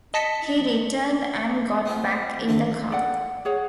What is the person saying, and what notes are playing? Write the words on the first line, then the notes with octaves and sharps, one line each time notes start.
He returned and got back in the car.
D#5 A5 B6 C#7
B3 C4 F4
D#3 A3 C4 D4 F4
A4 D5 F#5
G#4 C#5 F#5